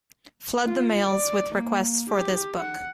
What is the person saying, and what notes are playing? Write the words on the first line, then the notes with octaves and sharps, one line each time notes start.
Flood the mails with requests for this book.
F4
D5
A#3
G4
F#5